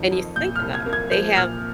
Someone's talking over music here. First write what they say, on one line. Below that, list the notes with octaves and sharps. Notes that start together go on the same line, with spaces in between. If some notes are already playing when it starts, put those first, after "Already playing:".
and you think about it, they have
Already playing: F2 D#3
F2
A#2 G6
F6
C2
G#6
A#3
G#6
F3 G6
A#2 F6